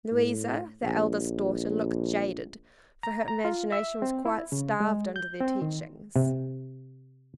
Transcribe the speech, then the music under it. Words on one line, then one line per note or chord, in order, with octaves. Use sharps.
Louisa, the eldest daughter, looked jaded, for her imagination was quite starved under their teachings.
A2
A#1
A#5
A#5
F4
E5
C4
E4
C#3
G#3
G6
C4
D#3
C3